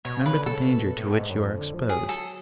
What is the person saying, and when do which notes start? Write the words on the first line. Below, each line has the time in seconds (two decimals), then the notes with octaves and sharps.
Remember the danger to which you are exposed.
0.05 B2 C#5
0.21 C#3 B4
0.36 D3
0.46 A4
0.51 C#3
0.66 B2
0.97 A2
1.18 G#2
1.30 F#2
1.42 F2
1.58 D3
1.74 F3
1.89 F#3 G#4
2.09 A4